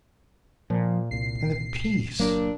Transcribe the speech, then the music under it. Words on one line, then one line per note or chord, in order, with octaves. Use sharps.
And the peace!
A#2 F3
C2 A#2 C7
G1 A#2 F#3 A#3 D4